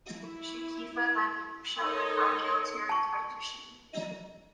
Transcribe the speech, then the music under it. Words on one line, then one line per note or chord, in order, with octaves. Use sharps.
Shi Kefa then shouted I'm Military Inspector Shi.
E4
D#4 A4 A#4 C#5 D#5
A5 C#6